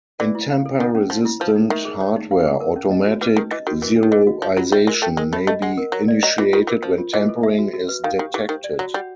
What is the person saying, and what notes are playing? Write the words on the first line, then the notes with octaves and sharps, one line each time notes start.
In tamper resistant hardware, automatic zeroisation may be initiated when tampering is detected.
E3 D5
E4
F5
A4
D#3 A4
C#4
F3 C#4
E4
F3 B4
D#4
D#3 E5
G#4
C#5
D#4
F5
G#4
A#4
C#4
D#5
F#4
E3 B4
D#3 D#4
E3 D#5
D#3 F#4
E3 A#4
D4
D#3
E3 D#5
F#4
F3 C#5
F#3 F4
G3 E5
G#3 A#4
A3 G5
G#3 A#4
A3 B5
A3 D#5
G#3 F#5
A#4
F#3 A#4
D5
F#3 D#5
E3 F4
D#3 F4
E3 A#4
F3 C5
F4
E3 D#5
A4
E5
F#4
F#4
B4
D#3 F5
D#3 G4
E3 G4
D#3 C5
D5
F#3 F#4
G3 F#5